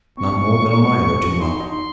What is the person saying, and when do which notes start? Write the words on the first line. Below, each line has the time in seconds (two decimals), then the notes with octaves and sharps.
"Not more than a mile or two off."
0.17 C4 C#6
0.38 G#3
0.57 D#3
0.78 G#3
0.99 C3
1.20 F3
1.40 D#4 C6
1.60 D#4
1.70 C6